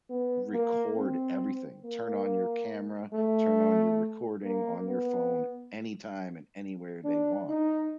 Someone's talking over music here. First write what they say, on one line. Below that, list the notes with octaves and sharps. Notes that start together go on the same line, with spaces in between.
record everything, turn on your camera, turn on your recording on your phone anytime, and anywhere they want.
B3
A#3
C4
A#3
A3
A#3
B3
D4
D#4